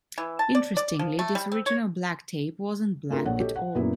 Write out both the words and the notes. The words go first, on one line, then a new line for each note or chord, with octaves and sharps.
Interestingly, this original black tape wasn't black at all.
E3
A5
D5
D5
F3
A3
G3
C4
C#5
A3 C4 D4 F4 G#4 A#4
A#1 A#2 C#5 F#5
G4 A4 C#5 D#5
F#5
F#2 A#2 F#3 A#3 B3 E4